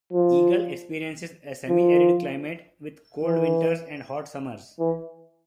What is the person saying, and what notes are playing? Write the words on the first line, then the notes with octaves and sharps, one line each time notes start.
Eagle experiences a semi-arid climate with cold winters and hot summers.
F3
F3
E3
E3